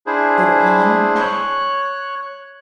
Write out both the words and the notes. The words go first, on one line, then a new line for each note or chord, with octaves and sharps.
"Go on back!"
D4 E4 G#4 C5
C#5 F#6